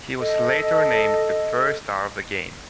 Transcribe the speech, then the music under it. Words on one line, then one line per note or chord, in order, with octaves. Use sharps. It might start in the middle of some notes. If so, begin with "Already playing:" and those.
He was later named the first star of the game.
A4 D#5